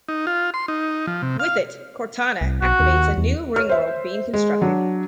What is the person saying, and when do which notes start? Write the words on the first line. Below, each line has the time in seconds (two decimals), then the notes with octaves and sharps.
With it, Cortana activates a new ringworld being constructed.
0.09 D#4
0.27 F4
0.54 C6
0.68 D#4
1.07 F3
1.22 C3
1.40 F5
2.41 C2
2.62 B1 F#4
2.80 D#2
3.17 E2
3.56 C#5 F6
3.69 C5 E5
4.34 G#3
4.61 F#3 D4